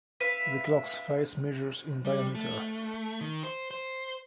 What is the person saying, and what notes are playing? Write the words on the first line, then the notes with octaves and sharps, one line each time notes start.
The clock's face measures in diameter.
B4 E5 F5
G3
A3
D#3
C5
C5